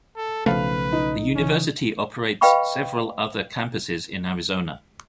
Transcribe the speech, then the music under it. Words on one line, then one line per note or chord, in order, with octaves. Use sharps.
The university operates several other campuses in Arizona.
A4
B1 C#3 F3 A3 B4 F5
D#4
C#3 E3 C#4
B4 D#5 F5 G5 B5 C#6